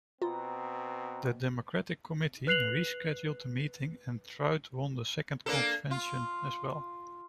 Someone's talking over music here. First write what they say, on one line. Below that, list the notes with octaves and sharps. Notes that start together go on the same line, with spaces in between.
The Democratic Committee rescheduled the meeting and Truitt won the second convention as well.
B2 B3 C4 F4 A#5
B4 F#6 C7 F7 F#7
A#3 D4 A4
F4